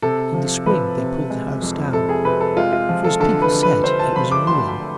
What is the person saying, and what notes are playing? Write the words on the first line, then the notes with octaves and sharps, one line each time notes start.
In the spring they pulled the house down, for, as people said, it was a ruin.
C3 A4
F3
F3 B4
C3
G#3
F2
C3 A4
G#4
C3 B4
A4
G#3 F4
F4
F3
A4
D3 A4
B4
D3
B4
D3 C5
A5
F3 B5
D6
D2 C6
B5